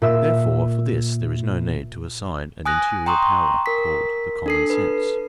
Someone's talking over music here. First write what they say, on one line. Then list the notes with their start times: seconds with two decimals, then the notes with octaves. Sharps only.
Therefore for this there is no need to assign an interior power, called the common sense.
0.02 A#2 E5 E7
2.65 G#5 D#6 F#6 A#6
3.06 G5 A#5 C6 C#6 D#6
3.66 A#4 B6
4.46 D4 A4 C7
4.70 A4 B4